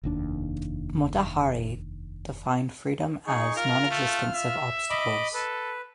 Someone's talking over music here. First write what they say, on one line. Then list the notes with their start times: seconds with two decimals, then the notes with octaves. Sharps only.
Motahari defined freedom as nonexistence of obstacles.
0.03 F1 D#2 D4
3.27 D#4 G#4 C#6
3.56 F4 A#4 F6
3.91 A3
4.34 E5
4.90 D#5 B5 D6
5.34 A4 B4